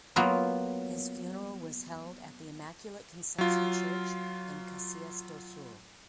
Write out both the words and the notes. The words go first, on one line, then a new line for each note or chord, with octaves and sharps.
His funeral was held at the Immaculate Conception Church in Caxias do Sul.
F#3 A#3 B3 F4
F#3 F4